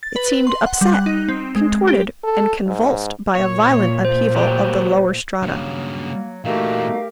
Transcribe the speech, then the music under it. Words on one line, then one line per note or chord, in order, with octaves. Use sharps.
It seemed upset, contorted, and convulsed by a violent upheaval of the lower strata.
A6
B4
F#7
C6
F#5
G3
F#6
D#4
C4
G#3
G4
A4
G#2
A#2 C#5
C5
F#3 G4
G2 C#3 F#3 A#3
A#2 E3 A3 D#4 F#4 G4 A#4 F5